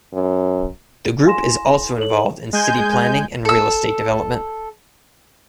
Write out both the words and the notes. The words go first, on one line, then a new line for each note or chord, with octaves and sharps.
The group is also involved in city planning and real estate development.
F#2
E4 F5 G#5 C6 A#6 E7
E4 A4 C#5 F#7
G#3 G#5 G6
A4 E6